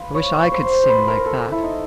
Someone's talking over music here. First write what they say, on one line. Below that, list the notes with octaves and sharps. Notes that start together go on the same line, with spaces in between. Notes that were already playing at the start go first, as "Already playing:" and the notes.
"I wish I could sing like that!"
Already playing: F4 B4
C#5
C5
C5
B4
A#4
A#4
A4
E4
D#4